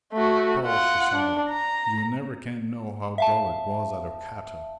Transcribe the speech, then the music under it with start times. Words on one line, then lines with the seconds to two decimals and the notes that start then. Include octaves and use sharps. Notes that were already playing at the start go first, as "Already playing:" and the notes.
"Paul," she sighed, "you never can know how dull it was at Okata."
0.12 A3 F#4
0.65 F4 F#5
1.15 D4
1.50 A#5
3.18 E5 F5 A5